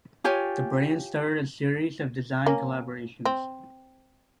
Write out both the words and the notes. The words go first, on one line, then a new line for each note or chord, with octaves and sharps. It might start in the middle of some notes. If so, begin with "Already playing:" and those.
The brand started a series of design collaborations.
F4 G4 C#5 G#5
A#3 C#4
C4